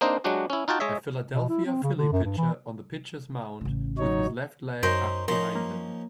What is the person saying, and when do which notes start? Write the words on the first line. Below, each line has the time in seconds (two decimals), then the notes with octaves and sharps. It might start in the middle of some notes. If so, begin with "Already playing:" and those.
A Philadelphia Phillie pitcher on the pitchers mound with his left leg up behind him.
0.01 A#3 C4 D4 D#4 C5 D#5
0.24 F#3 G#3 D4 F#4 G4
0.50 C#4 E4
0.68 D#4 F4 F#4 G5 A5
0.80 G#3 C#5 D#5 E5
1.33 B2
1.49 E4
1.66 C4
1.83 C#3
1.97 D3
2.12 F#2
2.24 G2
2.37 E3
3.61 A1 C#3
3.98 F#3 D#4 C#5
4.83 F#2 C#4 D#4 A#4 C5
5.28 F3 C#4 D#4 A#4 C6
5.55 A#3